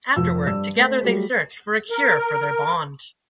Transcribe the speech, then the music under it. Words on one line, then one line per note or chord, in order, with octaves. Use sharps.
Afterward, together they searched for a cure for their bond.
F1 F2 E6
G2 D5 E6
A3 C5 B6
F#3 G3 A3 G#4
A#4